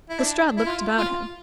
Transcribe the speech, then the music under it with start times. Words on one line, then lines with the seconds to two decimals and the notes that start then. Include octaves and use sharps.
Lestrade looked about him.
0.09 E4
0.19 D4
0.57 E4
0.66 F4
0.97 F4